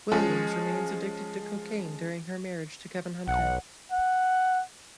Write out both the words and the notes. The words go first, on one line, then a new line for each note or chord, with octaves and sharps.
Williams remains addicted to cocaine during her marriage to Kevin Hunter.
F3 G#3 C#4
B1 F#5
F#5